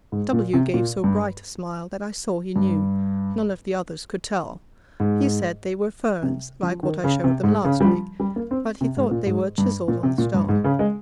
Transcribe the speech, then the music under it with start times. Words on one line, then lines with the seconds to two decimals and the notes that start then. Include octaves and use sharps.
W. gave so bright a smile that I saw he knew; none of the others could tell; he said they were ferns, like what I showed them last week, but he thought they were chiselled on the stone.
0.12 G#2
0.33 A#2
0.54 C3
0.74 A#2
1.04 G2
2.56 G2
5.00 G#2
6.23 C3
6.63 F3
6.83 D#3
7.04 C#3
7.24 C3
7.44 G#2
7.64 C#3
7.81 G3
7.85 F3
8.20 G3
8.36 A#3
8.51 C4
8.81 C3
8.97 G#2
9.11 A#2
9.26 G#2
9.58 G2
9.88 A#2
10.03 C3
10.18 A#2
10.34 G2
10.49 G#2
10.64 C#3
10.79 G#3